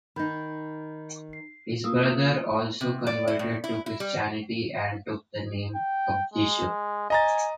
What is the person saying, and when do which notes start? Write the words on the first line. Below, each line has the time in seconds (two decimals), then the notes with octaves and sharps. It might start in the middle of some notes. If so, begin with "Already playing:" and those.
His brother also converted to Christianity and took the name Abdisho.
0.16 D#3 D#4 B5 G6
1.33 C7
1.84 A#3 F4 D#6 E6
2.81 C3
3.07 D5
3.28 E4
3.39 A2
3.64 E4
3.86 E4
4.00 G3
5.76 G5
6.34 G#3
7.10 D#5 G#5 A#5 A6